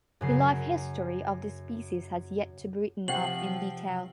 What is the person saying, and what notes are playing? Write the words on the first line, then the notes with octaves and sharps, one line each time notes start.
The life history of this species has yet to be written up in detail.
F#2 C#3 C7
C3 F3 C4 G4 F#5 G5 F#7